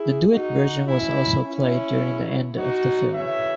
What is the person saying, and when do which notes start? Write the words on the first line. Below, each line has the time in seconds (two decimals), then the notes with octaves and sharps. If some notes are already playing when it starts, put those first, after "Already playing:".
The duet version was also played during the end of the film.
Already playing: E4 G#4
0.31 D#4 F#4
0.88 B2 F#3 C#4 E4
1.45 C#4 E4
2.01 C#3 F#3
2.57 D#4 F#4
3.14 C#3 E3 C#5 E5